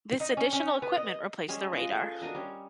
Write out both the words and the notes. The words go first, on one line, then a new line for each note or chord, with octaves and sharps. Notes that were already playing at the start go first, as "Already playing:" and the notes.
This additional equipment replaced the radar.
D#4
C#4
C#4
B3
D#5
G3 G#3 C#4 G#4
F4 B4 D#5
G#4 A4
D4 F#4 A#4 D#5
G3 C#4